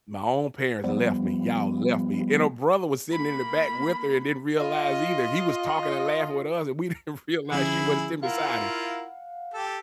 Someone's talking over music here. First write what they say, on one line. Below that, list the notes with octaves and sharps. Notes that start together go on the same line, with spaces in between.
"My own parents left me. Y'all left me," and her brother was sitting in the back with her and didn't realize either. He was talking and laughing with us, and we didn't realize she wasn't sitting beside him,
F3 G3 B3
A#3 B5
F4 D#5
D3 F3 C#4 E4 G#4 B5
E4 F4 A#4 F5 F#5
G4 A4